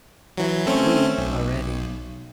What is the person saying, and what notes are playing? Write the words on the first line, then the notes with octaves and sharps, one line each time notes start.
We are ready.
E3 F#3
A3 C4 C#4
B1